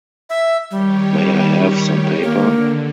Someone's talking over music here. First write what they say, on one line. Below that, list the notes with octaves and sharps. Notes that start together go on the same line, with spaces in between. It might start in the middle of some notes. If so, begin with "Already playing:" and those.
May I have some paper?
E5
D#3 G3 G4 C#5
D3 A#3